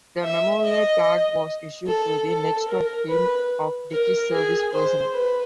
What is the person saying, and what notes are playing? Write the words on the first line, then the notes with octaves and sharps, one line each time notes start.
The Memorial Plaque was issued to the next-of-kin of deceased service personnel.
E5
D#5
A4
A4
A#4
B4
A#4
G#4
C5
B4